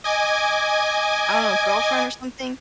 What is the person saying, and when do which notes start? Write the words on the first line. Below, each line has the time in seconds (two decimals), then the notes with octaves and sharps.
I don't know, girlfriend or something?
0.04 D#5 G#5 D6 G#6